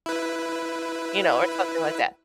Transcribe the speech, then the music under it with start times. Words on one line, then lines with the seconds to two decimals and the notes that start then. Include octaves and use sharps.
you know, or something like that.
0.06 E4 B4